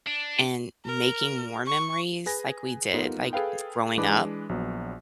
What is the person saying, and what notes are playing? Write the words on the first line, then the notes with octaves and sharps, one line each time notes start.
and making more memories, like we did, like, growing up,
D4
A#4
C#6
G#4 B4 G#5 A#6
B3 D#4 F4 G4 A4 A#4
G#4 A4 B4 F5 G5
E3 G#3 D4 B4 D6
A#1 F#3 B3